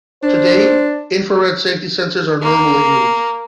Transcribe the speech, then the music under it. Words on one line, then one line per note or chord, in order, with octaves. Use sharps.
Today, infrared safety sensors are normally used.
D4 C5
A#3